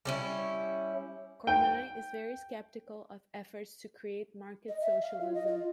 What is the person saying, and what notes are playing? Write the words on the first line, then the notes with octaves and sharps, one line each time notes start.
Kornai is very skeptical of efforts to create market socialism.
G3 C#4 E4
G5
D#5
E5
F5
F4
D#5
F4